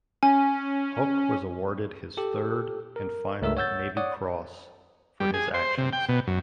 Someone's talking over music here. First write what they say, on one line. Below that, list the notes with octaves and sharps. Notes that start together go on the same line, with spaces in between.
Houck was awarded his third and final Navy Cross for his actions.
C#4 G#5
G4 A4
A#4
C#2 A3 A#4 E5 E6
C#5 F#5 E6 G6 A6
C#5 D5 F#5 D#6
G3
G#4
C5
C3
G5
B2
F#2